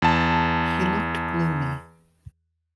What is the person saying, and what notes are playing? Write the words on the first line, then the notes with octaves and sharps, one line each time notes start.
He looked gloomy.
E2 A5